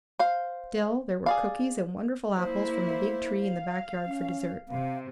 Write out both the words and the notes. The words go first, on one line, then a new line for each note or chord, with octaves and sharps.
Still, there were cookies and wonderful apples from the big tree in the back yard for dessert.
C5 F5
G#4 D5 F5
A#3 E4 C5
F5
C#4
C3 F5